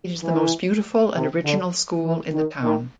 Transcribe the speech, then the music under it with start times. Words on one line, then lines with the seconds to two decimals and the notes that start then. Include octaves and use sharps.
It is the most beautiful and original school in the town.
0.24 E3
1.15 C3
1.45 D3
2.04 E3
2.34 D#3
2.64 D#3